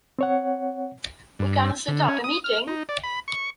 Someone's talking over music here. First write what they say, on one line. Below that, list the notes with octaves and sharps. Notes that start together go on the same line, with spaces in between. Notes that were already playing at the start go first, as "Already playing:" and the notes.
We can set up a meeting?
C4 C#5 F#5
G2
D3
C#4
D#6
F6
D#4
D5
B5
C#6